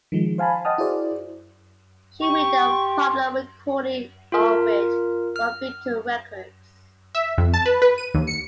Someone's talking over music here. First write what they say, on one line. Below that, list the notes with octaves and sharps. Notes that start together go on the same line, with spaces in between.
She made a popular recording of it for Victor Records.
D#3 F3 G#3
C5 F5 G#5 A5 B5
D#5 F#5 G5 A5 D#6 F6
E4 F#4 G#4 C5 D5
G4 C#6
C6
F4 A#4
F6
E5
F2
A5
B4
B4
D#7
D#2
C#7